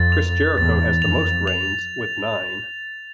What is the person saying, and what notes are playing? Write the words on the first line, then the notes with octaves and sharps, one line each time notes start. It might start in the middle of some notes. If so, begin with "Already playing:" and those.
Chris Jericho has the most reigns with nine.
Already playing: F2 A6
F7
E2 A6
F2 F7
F7